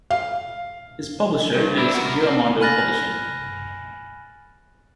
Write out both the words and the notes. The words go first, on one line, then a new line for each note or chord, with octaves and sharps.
His publisher is Giramondo Publishing.
F5
G2
D4 E4
F#4 A#4
C4
G#5 B5 F6 F#6 A6 A#6